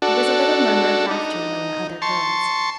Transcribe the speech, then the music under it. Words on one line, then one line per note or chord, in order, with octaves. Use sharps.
There was a little murmur of laughter among the other girls.
D4 F#4 A4
D#4
A5 C6 C#6